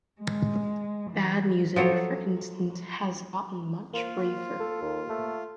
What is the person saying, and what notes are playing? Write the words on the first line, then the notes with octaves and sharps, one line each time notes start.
Bad music, for instance, has gotten much briefer.
G#3
E3
F3 F#3 A4 C#5
A#3 F4 C5
A4
D#2
A3